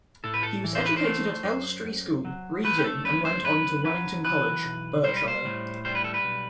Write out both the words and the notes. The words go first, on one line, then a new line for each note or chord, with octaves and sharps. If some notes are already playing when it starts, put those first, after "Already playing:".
He was educated at Elstree School, Reading and went on to Wellington College, Berkshire.
A2 A4
B4
A4
E3
C5
B4
C5
A3
F#2
F#2
F#3
A3 B4
G4
A4
F#2 B4
C5
F#2 B4
F#3 B4
E3 B4
B1
G3 C5
B4
C5
A2
G3 C5
B4
A4
B4
B1